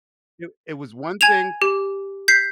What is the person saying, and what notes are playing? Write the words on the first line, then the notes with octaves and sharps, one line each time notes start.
It it was one thing
G#5 G#6 E7 F7
G4
G6 B6 C7